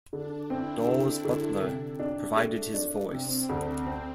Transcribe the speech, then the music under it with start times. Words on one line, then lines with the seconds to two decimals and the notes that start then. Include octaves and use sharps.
Daws Butler provided his voice.
0.13 D3 D4
0.50 C4 E4
0.87 D3 D4
1.25 D3
1.62 C3
1.99 D4
2.37 A3
2.74 D4
3.12 C3 C4
3.49 D2 C4
3.86 C4